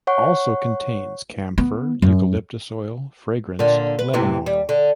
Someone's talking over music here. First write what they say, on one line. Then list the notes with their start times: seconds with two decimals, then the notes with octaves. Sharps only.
"Also contains:" Camphor, eucalyptus oil, fragrance, lemon oil.
0.07 C#5 F#5 C#6
1.58 B3
2.02 F#2
3.59 A#2 D3
3.99 B4
4.14 A2 C3 E3
4.46 G3
4.69 D3